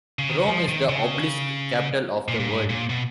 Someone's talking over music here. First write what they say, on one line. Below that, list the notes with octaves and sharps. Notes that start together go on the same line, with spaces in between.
Rome is the obelisk capital of the world.
C#3
D#3
C#3
F3
D#3
C#3
A#2
A#2
G#2
A#2
B2